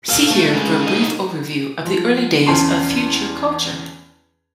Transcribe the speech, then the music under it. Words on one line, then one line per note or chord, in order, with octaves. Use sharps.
See here for a brief overview of the early days of Future Culture.
A4 F5
A3
C#3 G#3
A2 D#4
F3
E2 C#4 A5 C6